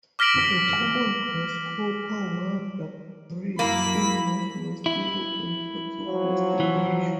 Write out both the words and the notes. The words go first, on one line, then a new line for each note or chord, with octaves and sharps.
The common grasshopper warbler breeds in north west Europe and parts of western Asia.
D6 F6 A#6 B6 D7 F#7
F#2 A#3 E4 B5
E4
F3 F#3
E3